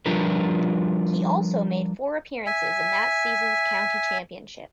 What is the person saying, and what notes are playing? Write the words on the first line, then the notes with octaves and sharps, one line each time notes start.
He also made four appearances in that seasons County Championship.
F3 G3 D4 F4 A#4 B4
E5 G#5